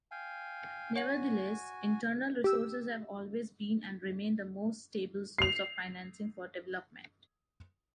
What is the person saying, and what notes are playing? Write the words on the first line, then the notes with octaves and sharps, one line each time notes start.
Nevertheless, internal resources have always been and remain the most stable source of financing for development.
F5 G5 G#5
F#4 C#5 F#5 G#5 F#7
G4 E6
C7 F7